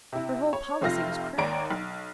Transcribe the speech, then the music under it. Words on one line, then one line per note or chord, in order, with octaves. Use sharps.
Her whole policy was cracked.
C3 E4
C#5
F1 C3 F4 A#6
G#1 D#2 C#5 D5 A#5 D7
B1